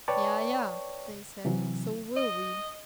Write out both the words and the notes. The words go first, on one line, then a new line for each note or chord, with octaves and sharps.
"Yea, yea," they said, "so will we."
B4 C#5 D5 G5 A5 C#6
C3 E3 F#3
D#5